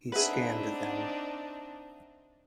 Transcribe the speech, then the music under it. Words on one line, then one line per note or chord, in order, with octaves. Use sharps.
He scanned them.
C4 D4 D#4 G#4 B4 E5 F#5